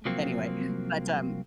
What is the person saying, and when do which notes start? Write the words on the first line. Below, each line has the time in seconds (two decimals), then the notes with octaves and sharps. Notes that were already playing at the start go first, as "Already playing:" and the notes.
Anyway, but, um
0.05 C2 F3 F#3 A#3 C4